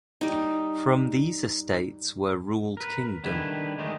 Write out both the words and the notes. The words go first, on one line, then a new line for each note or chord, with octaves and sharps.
From these estates were ruled kingdom.
G3 D#4
A#4 B4
D3 D#3 G3 E4 B4
D#3 G#3 A3 D4 D#4